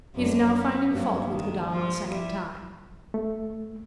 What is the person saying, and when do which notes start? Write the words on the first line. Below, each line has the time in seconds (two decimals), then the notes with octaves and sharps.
"He is now finding fault with Madame a second time."
0.16 F#2 D4
0.53 B3
0.91 G2 F#3 A#3
1.30 D#3
1.69 F3 F4
2.11 G3 E4
3.14 A3